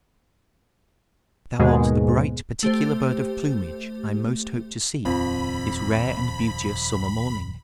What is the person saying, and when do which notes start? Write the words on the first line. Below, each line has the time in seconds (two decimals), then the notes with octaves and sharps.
Thou art the bright particular bird of plumage I most hoped to see this rare and beauteous summer morning.
1.59 D#2 G#2 B2 G#3
2.63 A3 G4 C5
5.05 D#1 F2 F3 B5